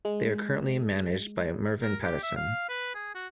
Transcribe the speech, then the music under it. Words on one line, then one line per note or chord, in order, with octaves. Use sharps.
They are currently managed by Mervyn Pattison.
G#3
A#4
G4
E5
F5
B4
G#4
F#4